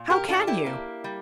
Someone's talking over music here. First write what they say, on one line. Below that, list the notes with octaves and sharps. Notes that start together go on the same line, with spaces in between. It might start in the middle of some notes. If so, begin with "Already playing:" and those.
How can you?
Already playing: A#2
G4 A#4
D4 F4 A4
E4 G4
A#3
G3